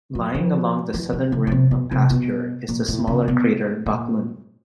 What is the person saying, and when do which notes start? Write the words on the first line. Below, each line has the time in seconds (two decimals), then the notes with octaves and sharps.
Lying along the southern rim of Pasteur is the smaller crater Backlund.
0.15 F#3
0.35 F3
0.94 E3
1.13 D3
1.32 C#3
1.47 C#3
1.52 C3
1.71 B2
1.91 C3
2.10 B2
2.68 A#2
2.88 A2
3.07 C#3
3.28 B2
3.86 A#2